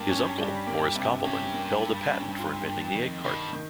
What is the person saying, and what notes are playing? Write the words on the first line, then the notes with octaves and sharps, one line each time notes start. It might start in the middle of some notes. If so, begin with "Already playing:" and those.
His uncle, Morris Koppelman, held a patent for inventing the Egg carton.
Already playing: G2 A#3
C#4
G3
A#3
C3
G2 C#4
A#3
A#3
C#4
F4
A#3
F2 D#3
G2 D#3
D#3